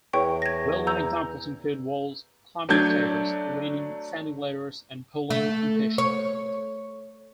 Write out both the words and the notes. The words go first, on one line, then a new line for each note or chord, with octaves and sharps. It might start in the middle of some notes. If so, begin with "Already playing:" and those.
Well-known examples include "walls", "climbing stairs", "leaning", "descending ladders", and "pulling and pushing".
E2 C#5 G5 C#6
G#6 A#6
A#5 E6 G6
F#3 A3 D4 A5 G6 G#6
A3
C#5